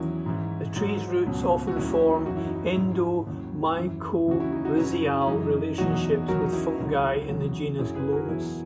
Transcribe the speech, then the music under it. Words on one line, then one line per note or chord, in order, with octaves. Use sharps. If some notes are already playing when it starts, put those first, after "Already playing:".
The tree's roots often form endomycorrhizal relationships with fungi in the genus "Glomus".
Already playing: E2 D#3 F#3 C#4 E4
G#2 E3
G#2 F#3
C#2 B2 F#3
F#4
D#2 D#3 F#3 C#4 E4
C#4
D#4
F#2 E3 F#4
E4
D#4
C#4 E4
G#2 F#3
D#2 C#3 F#3
F#2 E3
D#2 C#3 E3 F#4
C#4 E4
D#4 F#4
D#4 F#4
F#2 C#3 F#3 C#4 E4
C#4
F#2 E3 D#4
E2 B2 F#3 D#4 F#4
E2 D#3 F#3 F#4 A#4
D#4
C#4 E4
C#2 C#3 F#3
E2 C#3 F#3
F#2 C#3 F#3 E4 G#4
G#4 B4
F#4 A#4
E2 B2 F#3 E4 G#4